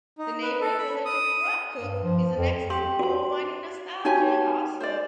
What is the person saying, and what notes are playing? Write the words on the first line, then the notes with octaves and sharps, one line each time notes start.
The neighbouring village of Crawcrook is a nexus of coal mining nostalgia also.
D#4
B4
A4
B5
D#6
G2
F3
F2
G4 C6
F#4 C6
D#4 F#4 G4 C#5 G#5
C5 D5